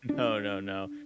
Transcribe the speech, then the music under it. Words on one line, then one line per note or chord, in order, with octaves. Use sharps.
no, no, no.
D4